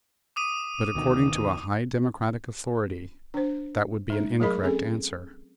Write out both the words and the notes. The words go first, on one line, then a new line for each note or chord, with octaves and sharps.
But, according to a high Democratic authority, that would be an incorrect answer.
D6 D#6 D#7
D2 B2 D#3
D4 C5
G#3 D#4
F#3 A3 G#4 A#4 D#5 B5
C4 C#4 G#4 A4